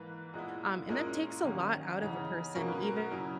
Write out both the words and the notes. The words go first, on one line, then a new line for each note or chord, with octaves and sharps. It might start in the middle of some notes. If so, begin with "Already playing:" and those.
um, and that takes a lot out of a person, even
Already playing: G#2 E3 A#3 B4
A#2 G#3 B3 E4
A#2 G#3 C#4 E4 A#4
D#2 D#3 F#3 A#3 C#4
C#3 E3 B3 D#4 G#4
B2 F#3 A#3 C#4 A#4
B4
A#4
A#4
C#3 F#3 C#4 E4